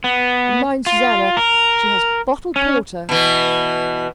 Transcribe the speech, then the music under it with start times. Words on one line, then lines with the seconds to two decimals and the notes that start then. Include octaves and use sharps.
And mind, Susanna, she has bottled porter.
0.04 B3
0.86 F4
1.37 A#4
2.56 C#4
3.09 B2 E3